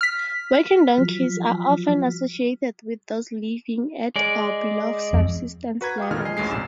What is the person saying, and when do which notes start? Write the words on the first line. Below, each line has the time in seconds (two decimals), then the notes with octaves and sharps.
Working donkeys are often associated with those living at or below subsistence levels.
0.01 F6 B6
0.98 F3 F#3
4.16 G#3 D5
5.13 F2
5.81 F#4 B4 A#5 G#6
5.98 F5 G5 D6 D#6
6.11 F2 A#2 D3 D#3 F6
6.25 F3 D#5 G#5 C7
6.37 A1 D2 E3 G#3 C7
6.51 A#1 G#2 C3 E6 E7